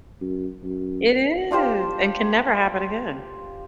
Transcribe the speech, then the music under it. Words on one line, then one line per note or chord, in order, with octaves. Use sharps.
It is and can never happen again.
F#2
F#2
D4 F4 G4 C5